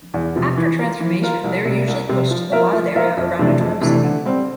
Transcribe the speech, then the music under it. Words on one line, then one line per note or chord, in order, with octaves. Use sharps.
After transformation, they are usually pushed to the wild area around a drow city.
E2
C3 F3
E3
A#3 F4 A#4
E3
A#3 F4 A#4
C2
C3 G3
C2
C3 G3
F3
A#3 F4 A#4 E5
F3
A#3 F4 A#4 E5
F2
C3 E3 A3 D4
F2
C3 E3 A3 D4
D3
G3 C4